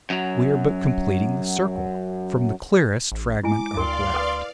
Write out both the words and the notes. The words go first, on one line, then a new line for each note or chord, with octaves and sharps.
We are but completing the circle from the clearest fragment-arc left.
F#2 F#3
A1
G#3 E4 G#5 D6
D2 A#4 D5 F5 G5 C6
B4 D6 D#6